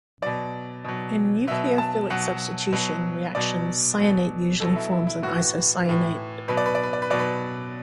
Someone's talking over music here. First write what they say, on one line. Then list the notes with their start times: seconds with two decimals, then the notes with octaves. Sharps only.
In nucleophilic substitution reactions cyanate usually forms an isocyanate.
0.22 B2 F#3 D5
0.85 B2 F#3
1.47 B2 F#3 E5
1.78 A5
2.10 B2 F#3 F#5
2.73 B2 F#3
3.35 B2 F#3 D5
3.98 B2 F#3
4.60 B2 F#3 A4
4.76 E4
4.91 E4
5.07 E4
5.22 A2 E3 F#4
5.85 A2 E3
6.48 B2 F#3 B4
6.57 D5
6.66 B4
6.75 D5
6.83 B4
6.93 D5
7.02 B4
7.10 B2 F#3 D5
7.19 B4